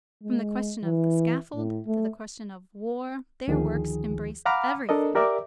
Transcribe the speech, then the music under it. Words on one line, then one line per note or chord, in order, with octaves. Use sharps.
From the question of the scaffold to the question of war, their works embraced everything.
G#3
E3
A2
A3
D2 D#3 F3 G#4
F5 F#5 A#5 B5 D6 F6
D4 A4 A#4 D#5
G4 A#4 D5 E5 D6